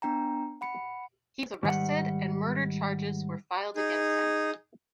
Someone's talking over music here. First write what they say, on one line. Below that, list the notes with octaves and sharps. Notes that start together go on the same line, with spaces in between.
He was arrested and murder charges were filed against him.
B3 D4 G5 A#5
F#5 B5 C#7
G#2 D#3 G3 F#5
D#4 G#4